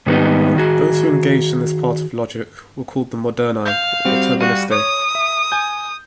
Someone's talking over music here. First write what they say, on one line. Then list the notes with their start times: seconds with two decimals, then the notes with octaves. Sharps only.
Those who engaged in this part of logic were called the "Moderni", or "Terministae".
0.06 G#2 D#3 G3 B3 D#4
0.56 D#3 F#4 G#4
3.65 F5 G6
4.05 G3 C4 F#4
4.40 G3 F#4 F5 D#7
4.72 C#5 D#6
5.15 E5
5.52 G#5 G6